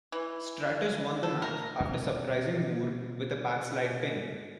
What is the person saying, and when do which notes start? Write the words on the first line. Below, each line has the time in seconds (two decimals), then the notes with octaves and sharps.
Stratus won the match after surprising Moore with a backslide pin.
0.12 E3
1.23 A4
1.42 A#4
1.80 B2 G3 A3 C4